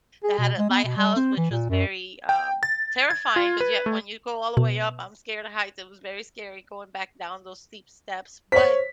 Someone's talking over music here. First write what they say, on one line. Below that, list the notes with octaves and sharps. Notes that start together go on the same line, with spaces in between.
That had a lighthouse, which was very, um, terrifying, 'cause yeah, when you go all the way up- I'm scared of heights- it was very scary going back down those steep steps, but
G#4
B2
G#3
B3
B2
G3
C4
E3
A#2
F#2
G5
A6
G#6
F4
B4
A3
B2
C5 C#5 B6